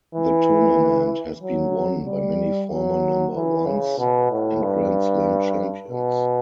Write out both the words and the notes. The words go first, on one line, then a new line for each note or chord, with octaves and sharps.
The tournament has been won by many former number ones and Grand Slam champions.
E3
F#3
G3
F#3
E3
C#3
B2
A2
G2
B2